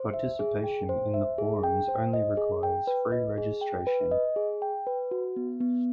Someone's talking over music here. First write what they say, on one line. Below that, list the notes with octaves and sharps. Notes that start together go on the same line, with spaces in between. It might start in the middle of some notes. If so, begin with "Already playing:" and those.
Participation in the forums only requires free registration.
Already playing: C5
E5
G#4
G5
C5
E5
G#4
G5
C5
D#5
G#4
G5
B4
D#5
G#4
G5
B4
D#5
G#4
G5
B4
F#4
B3
B3